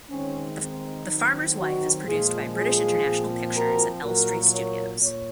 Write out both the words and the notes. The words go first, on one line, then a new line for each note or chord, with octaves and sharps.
"The Farmer's Wife" is produced by British International Pictures at Elstree studios.
D#3 G#3 C4 C#4
C4 D#4
D#3 F#3 C4
D#4 F#4
A#2 F3 G#3 F4 G#4
F4 G#4
A#2 F3 C4
F#4 A#4
A#2 F#3 A#3 F#4 A#4
A#4 C#5
A#2 C#5